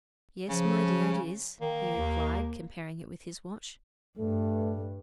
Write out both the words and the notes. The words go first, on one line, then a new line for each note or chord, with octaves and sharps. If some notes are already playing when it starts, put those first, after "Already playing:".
"Yes, my dear, it is," he replied, comparing it with his watch.
C#3 F3
D#3 A#3
D#2
G2 A3